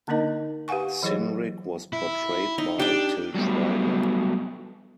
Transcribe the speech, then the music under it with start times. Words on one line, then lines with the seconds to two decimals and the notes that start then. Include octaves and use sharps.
Cynric was portrayed by Til Schweiger.
0.08 D3 A#3 D4 D#4 A#4 D#5
0.68 G4 B4 F5 F#5 G#5 C#6
1.03 E3 F#3 E4 G#4 C#5
1.93 E4
2.58 D#4
2.79 D4 G4 G5
3.35 F#3 G3 A3 B3